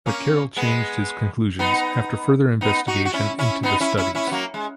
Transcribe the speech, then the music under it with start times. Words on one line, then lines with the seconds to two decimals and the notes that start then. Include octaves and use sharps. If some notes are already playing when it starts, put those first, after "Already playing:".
But Carroll changed his conclusions after further investigation into the studies.
0.06 A#3 C#4
0.56 G#3 B3
1.59 B3 D#4
2.61 B3 D#4
2.87 D#4 F#4
3.05 F#4
3.13 C#4 E4
3.39 C#4 E4
3.63 B3 D#4
3.81 C#4 E4
3.97 C#4 E4
4.15 C#4 E4
4.27 B3
4.32 F#3 A#3
4.54 G#3